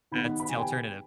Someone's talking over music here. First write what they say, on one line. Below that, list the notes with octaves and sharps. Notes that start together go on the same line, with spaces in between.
That's alternative.
D#3 B3 D#4 B5
B5
G#5
G5